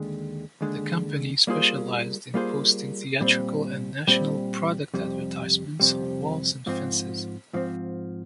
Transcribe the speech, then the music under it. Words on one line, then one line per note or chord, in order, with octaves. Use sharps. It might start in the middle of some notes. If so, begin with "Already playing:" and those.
The company specialized in posting theatrical and national product advertisements on walls and fences.
Already playing: D#2 D3 G#3
D#2 D3 G#3
G3 A#3 F4 G#4 C5
G3 A#3 F4 G#4 C5
A#2 G3 C4
A#2 G3 C4
F2 C3 G3
F2 C3 G3
G#2 F3 C4
G#2 F3 C4